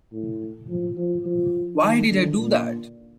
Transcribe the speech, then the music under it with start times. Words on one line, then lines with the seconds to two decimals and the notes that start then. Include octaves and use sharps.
Why did I do that?
0.13 A2
0.69 F3
0.97 F3
1.25 F3
1.82 D#3
2.11 D3
2.38 A#2